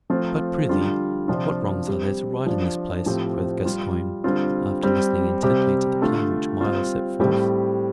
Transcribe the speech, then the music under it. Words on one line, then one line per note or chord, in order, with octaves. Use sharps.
"But, prithee, what wrongs are there to right in this place?" quoth Gascoyne, after listening intently to the plan which Myles set forth.
F3 A3 C4 F4
D3 G3 F4
C3 F3 D4 F4
G3 C4 G4
F3 D4 F4
A2 F3 C4 G4
G3 F4
D3 G3 C4 F4
G3 C4 G4
C3 G3 C4 G4
D3 A3 F4
G3 C4 F4
A2 G3 C4 G4